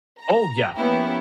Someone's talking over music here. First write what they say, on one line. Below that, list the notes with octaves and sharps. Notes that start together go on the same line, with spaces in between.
Oh, yeah.
A#5
F3 A#3 B3 C#4 E4 G4